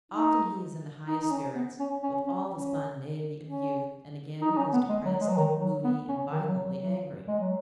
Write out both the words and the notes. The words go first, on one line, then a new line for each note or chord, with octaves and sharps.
Often he is in the highest spirits, with all the spontaneity of youth, and again he is depressed, moody, and violently angry.
D#4
D#4
D#4
C#4
B3
C#4
C#4
C#4
C#4
C#4
D#4
D#4
C#4
B3
G#3
F#3
G#3
F#3
D#3
F#3
B3
C#4
D#3
F#3
F#3
F#3
G#3
F#3